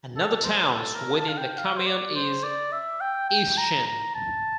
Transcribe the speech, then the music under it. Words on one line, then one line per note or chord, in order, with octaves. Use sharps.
Another towns within the commune is Eischen.
A4
C5
A4
A#4
A5
F5
G5
F5
C5
D5
C5
D5
E5
G5
G5
A#5
A#5
A5